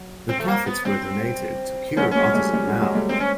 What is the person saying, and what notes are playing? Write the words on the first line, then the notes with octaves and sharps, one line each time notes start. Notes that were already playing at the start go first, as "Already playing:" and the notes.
The profits were donated to Cure Autism Now.
Already playing: F#3
C4
A3
A#3
B3
G3 C4
F#3 G#3 C#4
F#3 G#3 C#4
G#3
G3 A3
G3
F#3 G#3
F#3 G#3
G3 A3
G#3 A#3 C4
C#4